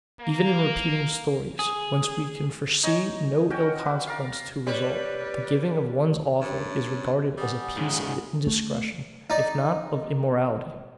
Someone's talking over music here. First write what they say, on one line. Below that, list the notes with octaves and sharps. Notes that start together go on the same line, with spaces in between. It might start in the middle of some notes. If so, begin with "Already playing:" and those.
Even in repeating stories, whence we can foresee no ill consequences to result, the giving of one's author is regarded as a piece of indiscretion, if not of immorality.
A#3
G#4
D#4 C#5 D#5 G#5
C#4 F#4 G5
B4
A#4 D5 F5
G3 B4 C#5 D5
G2 C#4 C#5
G3 F#5 G#5 D#6
G#2 C#3
A3
D#4 D5